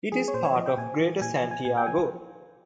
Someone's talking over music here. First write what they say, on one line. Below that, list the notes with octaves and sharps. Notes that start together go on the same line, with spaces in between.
It is part of Greater Santiago.
F3 G#4
C#5
A#2 C5
C#5
F3 D#5
G5
A#2 G#5
F3
A#2 G#5
G#5
F3
G#5
A#2 G#5
G5
F3 G#5